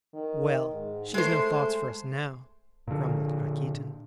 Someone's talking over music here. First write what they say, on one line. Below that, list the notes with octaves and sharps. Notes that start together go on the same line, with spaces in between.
"Well, she has no thoughts for us now!" grumbled Rakitin.
D#3
G#2
G#3 A3 C5
A#2 D3